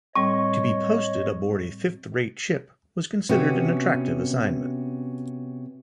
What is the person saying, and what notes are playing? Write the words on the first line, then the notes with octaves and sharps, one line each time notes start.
To be posted aboard a fifth-rate ship was considered an attractive assignment.
A2 G3 C4 C#5 D#5 C#6
C3 B3 C#4 F#4